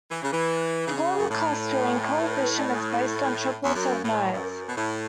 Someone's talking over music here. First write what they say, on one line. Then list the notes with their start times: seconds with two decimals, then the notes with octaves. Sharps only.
The global clustering coefficient is based on triplets of nodes.
0.11 E3
0.22 C#3
0.33 E3
0.87 C#3
1.17 F#2
1.30 A2
3.64 E2
3.75 F#2
4.04 A2
4.33 F#2
4.68 B2
4.76 A2